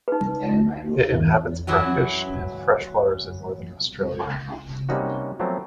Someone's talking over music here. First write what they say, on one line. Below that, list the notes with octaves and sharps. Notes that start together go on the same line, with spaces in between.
It inhabits brackish and freshwaters in northern Australia.
D#4 B4
E3 F#3 E4 F#4
C3 G3 A#3 C#4 D#4 F#4
F3 F#3 A3 B3 C4